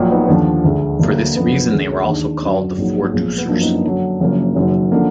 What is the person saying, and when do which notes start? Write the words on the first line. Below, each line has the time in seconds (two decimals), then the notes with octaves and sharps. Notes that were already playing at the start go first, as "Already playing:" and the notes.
For this reason they were also called the "Four-deucers".
Already playing: A#1 A#2 F#3 A#3
0.11 B3 D#4
0.25 B3
0.28 D#2 D3 F3 D4
0.64 D2 D3 G#3
0.99 D2 D3 F#3 A#3
1.34 F#2 D3 F3 B3
1.71 D2 D3 G#3
2.06 D#2 D#3 G#3 D4
2.43 F#2 D3 F#3
2.78 A#1 G#2 F#3 A#3
3.13 B1 A#2 F3 G#3
3.38 B3
3.48 F#2 F3 A#3 D4
3.60 B3 D#4
3.73 D4
3.85 F#2 D3 F#3 D4
4.20 F#1 F#2 F3 A#3
4.55 F#1 F#2 D#3 F#3
4.92 D3 F3 A#3